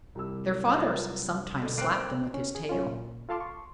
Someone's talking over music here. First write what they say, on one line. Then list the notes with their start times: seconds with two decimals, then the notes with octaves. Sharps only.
Their father sometimes slapped them with his tail.
0.15 C2 G4 E6
0.75 G2 F#3 F4
1.62 B2 D3
1.78 A#3 C4 F#6 C7 D7
2.34 C#4
2.55 G#4
2.69 F#3 C#4 F4
2.86 A#2
3.29 F4 A4 F5 A5 C6 D6
3.40 C6 C#6